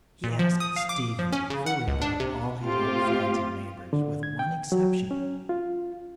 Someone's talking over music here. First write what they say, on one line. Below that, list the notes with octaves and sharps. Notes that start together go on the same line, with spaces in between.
He asked Stephen fully about all his old friends and neighbours with one exception.
A#2
F3
D#6
F5
D6
F3
C#4
C#3
F#5
C#2
D4
C3
A3 C4 F4 G4
D3
G#6
G5
F#3
C#4
F4